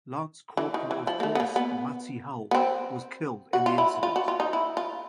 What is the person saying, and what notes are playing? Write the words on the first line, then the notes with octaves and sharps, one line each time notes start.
Lance Corporal of Horse Matty Hull was killed in the incident.
E3
D#3
E3
F3
A#3
A3
B3
A#3
B3
B3
C4
F#4
F4
E4
F4
F#4
F4
D#4
E4
F4